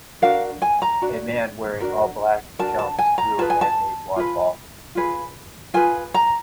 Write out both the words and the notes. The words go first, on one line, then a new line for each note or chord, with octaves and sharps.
A man wearing all black jumps through a manmade waterfall.
D4 F#4 A#4 F5
G#5
A#5
D4 F#4
D4 F#4 A#4
D4 F#4 A#4 A5
A5
G#5
A#5
F4 G#4 B4 A5
G#5
A5
F4 G#4 B4
F4 G#4 B4
F4 G#4 B4 G#5
A#5